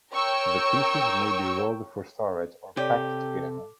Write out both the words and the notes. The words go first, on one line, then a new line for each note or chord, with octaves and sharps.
The pieces may be rolled for storage or packed together.
A#4 C#5 G5 C#6 E6
C3 G4 A4 C#5 D5